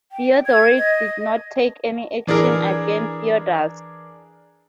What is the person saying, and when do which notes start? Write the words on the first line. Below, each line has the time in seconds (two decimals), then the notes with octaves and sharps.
Theodoric did not take any action against Theudis.
0.12 G5
0.47 G#6
0.78 D#5
2.27 E3 D4 G#4 A#4